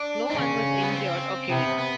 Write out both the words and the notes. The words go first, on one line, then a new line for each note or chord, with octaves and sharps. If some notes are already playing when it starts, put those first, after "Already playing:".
No one was injured or killed.
Already playing: D4
C4
C#3 C#4
B3
C4
C3 B3
B3